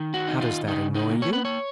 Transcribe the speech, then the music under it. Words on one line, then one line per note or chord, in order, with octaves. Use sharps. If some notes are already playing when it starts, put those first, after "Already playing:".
"How does that annoy you?"
Already playing: D#3
F#4
D#4
F4
C#3 D#4
D#4
A#3
C#5
B4
C#5